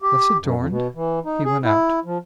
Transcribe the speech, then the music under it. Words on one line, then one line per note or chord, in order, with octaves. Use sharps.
Thus adorned, he went out.
G4
F#2
F2
B2
E3
D#4
G#4
E4
F3